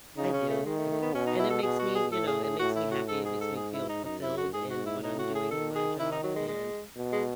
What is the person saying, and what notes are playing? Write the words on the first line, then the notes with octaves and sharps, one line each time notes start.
I do, I do. And it makes me, you know, it makes me happy, it makes me feel fulfilled in what I'm doing in my job and,
C#3 D#4
C#4
A3
D#3 G#3
A3
A3
B3
B2 C#4
D#4
E4
A4
B2 G#4
F#4
G#4
A2 A4
G#4
G#4
A2 F#4
E4
F#4
G#2 A4
G#4
A4
G#4
E4
D#4
F#2 D#4
E4
F#4
G#2 G#4
F#4
E4
A2 D#4
F#4
G#4
D#3 A4
G#4
D#3 E4
D#4
F#3
G#3
G#3
B2
G#3